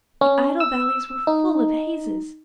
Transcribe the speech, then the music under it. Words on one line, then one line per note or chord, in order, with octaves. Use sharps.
The idle valleys were full of hazes.
C#4
E6
D#4